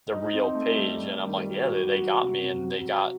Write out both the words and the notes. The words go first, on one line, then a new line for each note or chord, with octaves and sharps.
the real page," and I'm like, yeah, th they got me and they got
D#4
C4
A3
G3
G3
D#3
G3
F#4
F#4
F#3
C3
C3
F#3
F#3